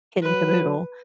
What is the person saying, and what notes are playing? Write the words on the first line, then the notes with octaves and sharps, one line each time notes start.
kit and caboodle.
F#3 B4